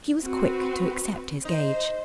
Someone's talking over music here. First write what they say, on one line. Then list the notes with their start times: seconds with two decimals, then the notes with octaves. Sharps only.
She was quick to accept his gage.
0.23 C4 F#4 B4
1.45 D#4 C5